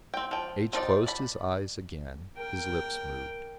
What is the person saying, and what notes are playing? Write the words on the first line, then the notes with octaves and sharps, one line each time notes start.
H-- closed his eyes again; his lips moved.
C4 G5
F3 G5
C4 D#4 F4 D5
D5 B5
A#4 G5